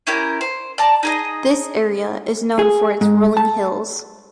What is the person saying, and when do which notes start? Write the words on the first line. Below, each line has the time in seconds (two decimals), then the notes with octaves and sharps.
This area is known for its rolling hills.
0.07 C#4 E4 G4 A#4
0.41 C5
0.78 D5 A5 A#5
1.03 D#4 G#4 D#5
2.59 G#4
3.01 G#2
3.37 A5